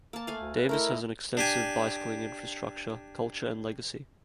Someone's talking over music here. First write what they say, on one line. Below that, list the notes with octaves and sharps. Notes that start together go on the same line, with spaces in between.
Davis has an extensive bicycling infrastructure, culture and legacy.
A#3 A5
A3 F5 G#5
D2
B4
A3 E4 A#4 D#5
D4 G4 G#5